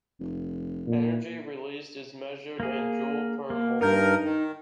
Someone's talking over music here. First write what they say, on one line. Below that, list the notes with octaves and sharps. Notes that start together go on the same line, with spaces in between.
Energy released is measured in Joule per mole.
F1
A#2
A#3 G#4
A#3
G2 D#4 A#4 G6
D#3